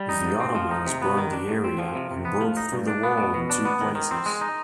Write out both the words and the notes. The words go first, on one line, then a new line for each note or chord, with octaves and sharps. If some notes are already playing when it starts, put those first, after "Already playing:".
The Ottomans burned the area and broke through the wall in two places.
Already playing: G3
D#4
G#2
C4
F3
D#4
C3
B3
D#3
D4
G#2
C4
F3
C3
C3
B3
F3
D#4
G2
D4
B3
B2
B2
D4
B3
D#3
D#3
C4
G#3
D#4